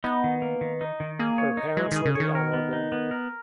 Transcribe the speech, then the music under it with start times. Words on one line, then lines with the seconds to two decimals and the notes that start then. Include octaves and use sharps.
Her parents were The Hon.
0.04 B3 D#4
0.24 D#3
0.42 A#3
0.61 D#3
0.81 D#4
1.00 D#3
1.19 A#3 G#4
1.38 C#5
1.57 D#4
1.77 F#3 G#3
1.92 D#3 G#4
2.05 C#3
2.15 D#3 C#5
2.35 A#4
2.53 B3
2.73 D#4
2.92 B3
3.11 A#4